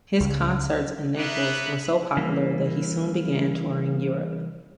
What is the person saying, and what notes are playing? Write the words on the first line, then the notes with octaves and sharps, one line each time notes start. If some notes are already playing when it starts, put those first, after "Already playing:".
His concerts in Naples were so popular that he soon began touring Europe.
C#2
A#3 B3 E5 F#6
E3 G3 A#3